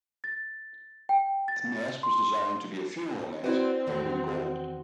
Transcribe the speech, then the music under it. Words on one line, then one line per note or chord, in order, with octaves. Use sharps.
The mask was designed to be a funeral mask covered in gold.
A6
G5
A6
C6
C4 E4 F#4 B4 D5
E2 D#3 F#4